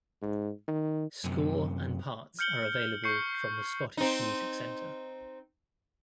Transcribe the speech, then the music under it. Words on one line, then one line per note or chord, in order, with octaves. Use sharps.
Score and parts are available from the Scottish Music Centre.
G#2
D#3
F#2 C3
F6 G6 C#7 F#7 G7
C#6 G6 C7 C#7
C7
C4 D#4